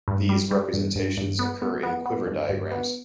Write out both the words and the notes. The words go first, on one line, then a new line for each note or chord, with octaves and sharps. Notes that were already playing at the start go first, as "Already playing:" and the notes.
These representations occur in quiver diagrams.
G2
G3
G3
G2
G2
G2
B3
B3
B3
B3
G2
G2
B3